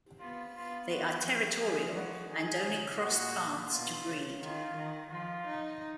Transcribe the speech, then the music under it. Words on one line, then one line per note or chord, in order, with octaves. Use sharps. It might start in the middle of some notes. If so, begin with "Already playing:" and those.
They are territorial, and only cross paths to breed.
B3 F4
B3 F4
F#4
F3
F3 G#4
F#4
D#3 G#4
C#3
A#2 F#4
B2 F4
C#3
D#3 F4
D#3
F3 F4
D#4